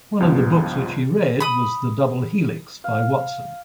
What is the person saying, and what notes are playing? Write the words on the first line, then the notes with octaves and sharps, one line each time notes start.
One of the books which he read was "The Double Helix" by Watson.
C#2 G2 F3 B3
B5 D#6
F5